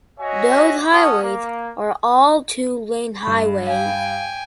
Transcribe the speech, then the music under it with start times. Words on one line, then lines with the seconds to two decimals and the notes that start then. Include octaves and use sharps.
Those highways are all two lane highways.
0.19 F#4 C#5 D#5 E5 G#5
0.90 C#4 F#4 A4 C#6 D#6
1.22 A#3
3.23 G2 B5
3.67 F5 G5 G#5